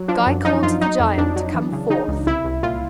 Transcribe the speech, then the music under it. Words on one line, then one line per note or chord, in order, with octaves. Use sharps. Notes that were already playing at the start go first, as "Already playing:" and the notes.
Guy called to the giant to come forth.
Already playing: F#3
F3 D4
F#2
F3 D#4
F#2 F4
F#3 D#4
F2
F2 D4
F#3
E3
C#3
C#3 D#4
C#2
C2 E4
C2
A#2 F4